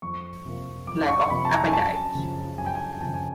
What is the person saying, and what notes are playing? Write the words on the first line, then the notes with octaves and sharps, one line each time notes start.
Lack of appetite!
F2 C#6
C3 F3 A#3
F2 D6
C#6
C3 F3 A#3 B5
A5
A#5
G#5
F#2 A5
C#3 F3
F#2 G#5
G5
G#5
C#3 F3 A5
G#5